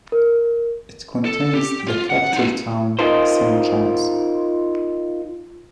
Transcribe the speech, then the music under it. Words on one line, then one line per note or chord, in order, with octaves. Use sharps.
It contains the capital Town, Saint John's.
A#4
A4
G4
F4
F#5
D#4 F4
D#4 F4 A#4 C5